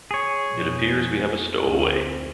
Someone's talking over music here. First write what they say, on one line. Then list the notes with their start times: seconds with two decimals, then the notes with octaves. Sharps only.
It appears we have a stowaway.
0.11 G#4 C#5
0.55 F2 B2
1.68 D2 C4